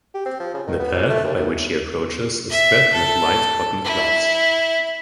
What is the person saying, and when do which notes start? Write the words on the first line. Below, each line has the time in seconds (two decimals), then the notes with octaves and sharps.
The path by which he approaches is spread with white cotton cloths.
0.14 G4
0.26 C4
0.39 F3
0.54 C#3
0.66 D#3
0.79 B3
0.93 A#2
1.09 A3
1.24 D#2
1.36 F#2
2.49 E5
2.93 A4
3.84 E4